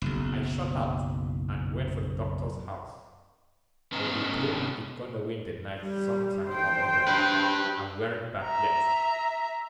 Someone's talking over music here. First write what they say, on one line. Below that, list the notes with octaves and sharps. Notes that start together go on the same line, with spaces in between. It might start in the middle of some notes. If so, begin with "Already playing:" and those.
I shot out and went for the doctor's house, but they told me he'd gone away in the night some time or other, and warn't back yet.
F#1 B1
G#2 B3 C#4 B4 D#5 A#5
G3
C5 G5
G4 B4
E5 A#5